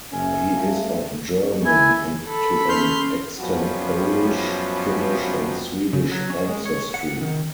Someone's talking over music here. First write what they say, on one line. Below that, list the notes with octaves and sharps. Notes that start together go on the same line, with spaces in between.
He is of German, and to an extent Polish, Finnish, and Swedish ancestry.
F#1 C#4 E5
C#3 G3 A3 G#4
E4 G#5
A4 B5
C#4 C6 F6 G6
F#2 F3 G3 B3 C#4 F#4
C#3
F#3
C#4
G#3
C#5
F#5
D#3